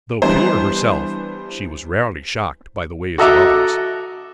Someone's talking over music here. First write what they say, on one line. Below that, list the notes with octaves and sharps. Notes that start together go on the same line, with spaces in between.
Though pure herself, she was rarely shocked by the ways of others.
E3 G3 B3 D4 C5
F#4 A4 D#5 E5 A#5 D6